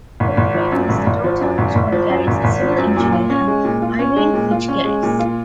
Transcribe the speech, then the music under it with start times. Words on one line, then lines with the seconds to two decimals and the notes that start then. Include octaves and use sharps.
Cochrane was the daughter of John Garis, a civil engineer, and Irene Fitch Garis.
0.20 G#1
0.37 G#1
0.54 F3
0.72 F#2
0.89 G#1
1.06 G#1
1.24 F3
1.41 F#2
1.58 G#1
1.75 G#1
1.92 F3
2.10 F#2
2.27 G#1
2.44 G#1
2.62 F3
2.78 F#2
2.96 A#2
3.13 F4
3.30 C#4
3.48 G#3
3.64 A#2
3.82 F4
3.99 C#4
4.16 G#3
4.34 A#2
4.51 F4
4.68 C#4
4.85 G#3
5.03 A#2
5.19 F4